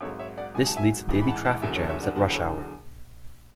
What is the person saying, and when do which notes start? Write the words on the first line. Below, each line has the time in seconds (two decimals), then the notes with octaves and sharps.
This leads to daily traffic jams at rush hour.
0.01 G#1 G#2 F#3 A4 C#5
0.19 C#5 E5
0.37 D5 F#5
0.54 G#1 G#2 F#3 G#5
0.66 A5
0.77 E5 G#5
1.09 A1 G#2 E3
1.21 B5
1.27 F#5 A5
1.45 F#5 A5
1.62 F#1 E2 D3 F#3 E5 G#5
1.75 A4 C#5
1.89 C#5 E5
2.03 D5 F#5
2.16 E1 E2 D3 F#3 F#5 A5
2.29 B4
2.34 A4 C#5